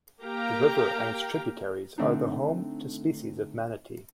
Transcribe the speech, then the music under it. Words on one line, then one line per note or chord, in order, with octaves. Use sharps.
The river and its tributaries are the home to species of manatee.
A#3 G4 F5 G5 A#5
D3 A3 C4 D4 D#4